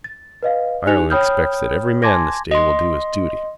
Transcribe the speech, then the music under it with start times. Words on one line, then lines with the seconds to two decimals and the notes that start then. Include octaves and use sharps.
Ireland expects that every man this day will do his duty.
0.04 A6
0.43 B4 D#5 F5
0.86 D#4 G4 G#5 F#6 C#7 F7
1.10 C#5 G5 B5 D#6 F6 G6
2.02 G#5 A5 C6 D6 G#6 A#6
2.51 D#5 C6